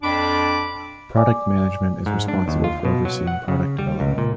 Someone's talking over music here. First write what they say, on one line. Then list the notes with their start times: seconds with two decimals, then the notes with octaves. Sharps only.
Product Management is responsible for overseeing product development.
0.03 F2 D4 B5 D6
1.16 D5 G#5 D6
2.06 G#2
2.28 D4
2.48 D#2
2.64 F4
2.85 B2
3.05 F#3
3.27 F#5
3.48 C#3
3.78 G3
4.00 C#2
4.18 A#2